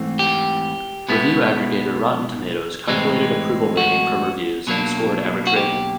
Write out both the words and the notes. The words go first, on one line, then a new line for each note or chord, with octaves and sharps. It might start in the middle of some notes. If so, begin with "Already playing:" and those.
Review aggregator Rotten Tomatoes calculated approval rating from reviews and scored average rating.
Already playing: G#2 E3 A3 C4
G4
B2 G#3 B3 E4
A2 E3 G#3 C4
F#4
B2 F#3 A#3 D4
F#4
G4